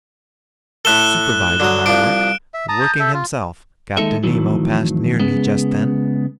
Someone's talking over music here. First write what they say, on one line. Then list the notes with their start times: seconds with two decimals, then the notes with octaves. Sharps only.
Supervising our work, working himself, Captain Nemo passed near me just then.
0.85 A2 A3 A4 F#6 E7 G7
1.60 D3 F#3 D#6
1.86 C2 F3 D4 D7
2.54 E5
2.69 A5 A#5 D#6
2.80 G6
3.00 A4 E5
3.14 F4
3.97 D#2 G#3 D#4 A4 E5
4.23 F2 A2 D#3 E3 F#3
5.19 C#3 G#3 B3